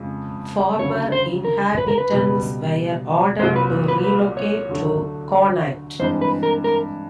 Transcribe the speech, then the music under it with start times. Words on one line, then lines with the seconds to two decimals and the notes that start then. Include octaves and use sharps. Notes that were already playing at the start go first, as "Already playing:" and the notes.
Former inhabitants were ordered to relocate to Connacht.
Already playing: F2 C#3 F3 G#3
0.79 D2 C#3 F#3 C#5
1.12 C5
1.45 A#4
1.78 B4
1.88 A#4
1.98 B4
2.10 C#2 B2 G3
3.39 C2 A#2 F#3 C5
3.56 B4
3.88 B4
4.04 B4
4.37 C#5
4.69 D2 D3 F#3 A3
5.99 G2 E3 G#3 C4 D#4 C5
6.21 B4
6.43 A#4
6.64 A#4